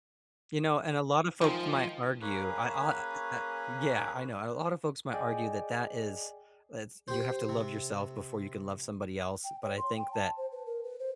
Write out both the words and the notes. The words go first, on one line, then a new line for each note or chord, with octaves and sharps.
You know, and a lot of folks might argue I aw i uh yeah, I know, a lot of folks might argue that that is that's you have to love yourself before you can love somebody else, but I think that,
D#3 F3 G#3
A#3 C#4 G#4 B4
G#4 D5 D#5 G5 G#5
G4 C5
C3
G5
C#5
C6
G5
A5
C5
B4
A#4
B4
C5